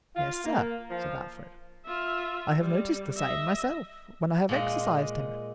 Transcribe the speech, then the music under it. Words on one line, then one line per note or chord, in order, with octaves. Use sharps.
"Yes, sir," said Alfred, "I have noticed the same myself, when I have exercised him."
F4
A#3
F3
F4 E5
G3
D#5 E5
A#2 G#3 D#5